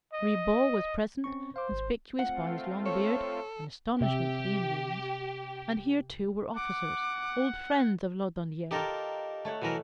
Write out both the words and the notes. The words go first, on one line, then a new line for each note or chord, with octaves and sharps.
Ribaut was present, conspicuous by his long beard, an astonishment to the Indians; and here, too, were officers, old friends of Laudonniere.
D#5
C4 C#4 C#6
C5 F5 D6
G#1
A3 C4 F4 F#5
A4 C#5
C3 G4 E5
F#5 D6
D#4 F4 G4 A4 A#4
A3 C#5 F#5
B2 E3 A#4